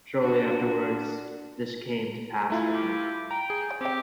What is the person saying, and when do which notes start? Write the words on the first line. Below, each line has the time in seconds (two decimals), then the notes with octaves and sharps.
Shortly afterwards this came to pass for him.
0.21 D4 F#4
2.50 A3 E4 F4
2.73 G4
3.31 G5 A#5
3.50 G#4
3.81 C4 G4 G5